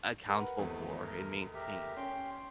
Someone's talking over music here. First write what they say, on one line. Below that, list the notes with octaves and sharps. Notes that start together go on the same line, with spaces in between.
accountable for and maintain.
A#4 B4 F#5
G#1 E2 A3
A#4
G4 A#4 E5
C#4 G5 C6